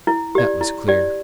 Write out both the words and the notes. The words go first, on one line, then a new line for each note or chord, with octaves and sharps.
That was clear.
E4
G4 D5
E4
G4 D5